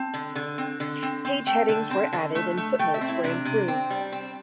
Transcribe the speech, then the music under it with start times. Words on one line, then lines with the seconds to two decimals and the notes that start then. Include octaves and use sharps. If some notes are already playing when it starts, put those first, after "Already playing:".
Page headings were added and footnotes were improved.
Already playing: C4 A5
0.14 D3
0.35 D3
0.58 C4
0.80 D3
1.03 C4
1.25 C4
1.47 A3 G5
1.69 D3 A5
1.90 C4 A5
2.13 D3
2.35 A3
2.57 A3
2.79 A3 G5
2.94 E5
3.01 C4
3.09 E4
3.24 C3 D4
3.45 C3
3.68 C4
3.90 G3
4.12 C4